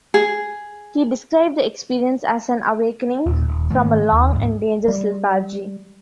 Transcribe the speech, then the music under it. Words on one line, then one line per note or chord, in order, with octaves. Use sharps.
He described the experience as an awakening "from a long and dangerous lethargy".
G#4
D#2 A#2
D#1
G#2 D#3 A3
D#2
C#2 G#2
G3